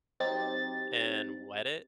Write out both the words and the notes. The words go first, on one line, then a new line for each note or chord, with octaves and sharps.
and wet it,
F#3 C4 D#4 G4 A6